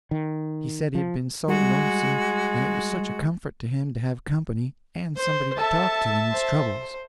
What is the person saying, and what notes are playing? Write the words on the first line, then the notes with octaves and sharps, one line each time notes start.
He said he had been so lonesome, and it was such a comfort to him to have company, and somebody to talk to in his troubles.
D#3
F3
G3 G#3 F#4
C5
A4 E5 A5
C5